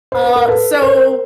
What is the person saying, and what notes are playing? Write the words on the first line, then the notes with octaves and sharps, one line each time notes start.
Uh, so
C5
B4
A#4
A4 B4
A#4 C5